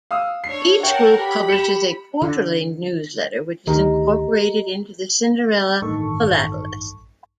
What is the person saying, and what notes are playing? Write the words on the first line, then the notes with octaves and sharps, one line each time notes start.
Each group publishes a quarterly newsletter which is incorporated into "The Cinderella Philatelist".
F5 D#6 E6
D4 C#5 C7
A#4 C#5 F#5 G5 A5
G4 B5
C#7 E7
D3
D2 D#3 G4 D#5 A#5
A1 G2 D#3 A4 C#6